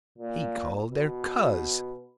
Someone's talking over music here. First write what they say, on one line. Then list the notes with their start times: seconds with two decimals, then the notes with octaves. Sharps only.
He called her Coz!
0.18 A#2
0.91 B2